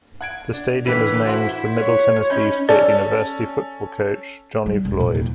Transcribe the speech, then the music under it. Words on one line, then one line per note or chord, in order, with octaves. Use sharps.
The stadium is named for Middle Tennessee State University football coach Johnny Floyd.
F#5 G#6 D7
D4
A2 D3 E3 B4
E4 F#4 C5 F#5
C#5
C#4 D#4 B5 G6
C#4 A4 D5
G3
E1
A#2
D#2